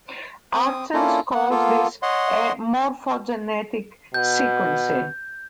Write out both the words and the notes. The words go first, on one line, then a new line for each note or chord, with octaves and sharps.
Archer calls this a morphogenetic sequence.
C4 D#6
A#3 C#4 D4 E4 F4 A4
B3 F#5
A#3 B3 F4 A4
C#5 D#5 F#5 C6
B2 G6